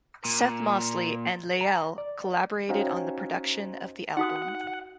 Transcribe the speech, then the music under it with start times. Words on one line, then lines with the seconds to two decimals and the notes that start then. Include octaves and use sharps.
Seth Mosley and Lael collaborated on the production of the album.
0.25 A#2
1.61 A#5
1.98 D5
2.69 C#4 D#4 F#4 C5 F5 G5
4.17 D#4 F#4 F#5 D#6